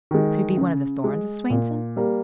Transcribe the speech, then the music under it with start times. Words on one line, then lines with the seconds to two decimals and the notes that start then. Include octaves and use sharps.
"Could it be one of the Thorns of Swainson?"
0.11 D#3 G#3
0.57 C#3
1.04 G#3
1.50 A#2
1.96 G3 A#3